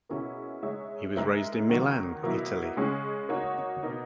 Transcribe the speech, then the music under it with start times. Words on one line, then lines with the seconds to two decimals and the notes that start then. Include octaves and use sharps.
He was raised in Milan, Italy.
0.09 B2 A#3 C#4 E4 G#4
0.63 G#3 D#4 G#4 C#5 E5
1.16 G#3 D#4 A#4 E5
1.69 D#3 F#3 A#3
2.23 B2 F#3 A#3 E4
2.76 C#3 G#3 C#4 G#4
3.29 A#3 D#4 F#4 C#5
3.83 B2 A#3 D#4